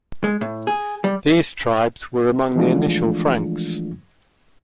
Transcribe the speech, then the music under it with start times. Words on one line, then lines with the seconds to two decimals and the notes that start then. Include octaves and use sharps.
These tribes were among the initial Franks.
0.24 G#3
0.41 A2
0.67 G#4
1.04 G3
2.56 E3 F3 G#3 A3 D4 F4